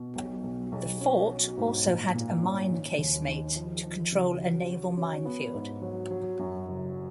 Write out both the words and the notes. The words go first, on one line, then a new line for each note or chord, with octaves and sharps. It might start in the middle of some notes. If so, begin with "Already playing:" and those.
The fort also had a mine casemate to control a naval minefield.
Already playing: B2
B1
B1
B1
C#4
F#3
G#2
A#2
A#2
C#4
D#3
D#2
D#3
F3
F3
C#3
F#3
F#4
C#4
B3
G#2
F#3
F#3
F#2
F#1